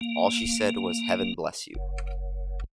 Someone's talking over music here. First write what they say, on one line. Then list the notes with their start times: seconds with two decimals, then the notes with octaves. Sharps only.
All she said was 'Heaven bless you!
0.01 A#3
1.74 F#1